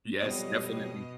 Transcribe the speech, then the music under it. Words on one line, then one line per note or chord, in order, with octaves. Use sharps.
Yes, definitely.
F2 B2 F#3 G3 D#5